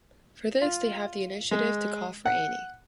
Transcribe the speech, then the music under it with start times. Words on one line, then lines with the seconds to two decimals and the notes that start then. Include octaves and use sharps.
For this, they have the initiative to call for Annie.
0.62 F4
1.51 G#3
2.26 F#5